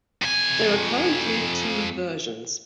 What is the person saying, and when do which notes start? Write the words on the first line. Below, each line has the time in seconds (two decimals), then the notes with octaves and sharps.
There are currently two versions.
0.22 F2 G#5